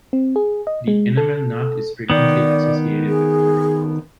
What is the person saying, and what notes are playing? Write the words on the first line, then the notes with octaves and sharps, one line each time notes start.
The enamel knot is frequently associated with an enamel cord.
C4
G#4
D#5
G#3
A4
D#3 B3 D5
G#4